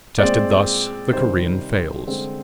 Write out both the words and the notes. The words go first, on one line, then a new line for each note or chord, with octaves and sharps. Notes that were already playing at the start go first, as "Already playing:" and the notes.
Tested thus, the Korean fails.
A#2 G#3 C4 D5
C3 D#3 G3 C5
D3 G#3 C4